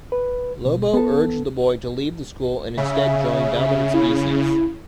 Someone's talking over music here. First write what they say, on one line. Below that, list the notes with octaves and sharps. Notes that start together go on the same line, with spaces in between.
Lobo urged the boy to leave the school and instead join Dominant Species.
B4
B2
B3 A4
C#3 E5
E4